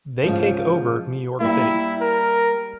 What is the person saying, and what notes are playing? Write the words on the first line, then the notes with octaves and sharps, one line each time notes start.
They take over New York City.
G#2 C#3 F3
G3 A#3 E4
A#4